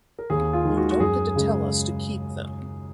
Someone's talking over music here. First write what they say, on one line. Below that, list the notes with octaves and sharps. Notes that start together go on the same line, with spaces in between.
You don’t get to tell us to keep them.
A#4
D#2 G#4
F4
D#3 G#3
F#4
F#4
F#2 G#4
C#3 G#3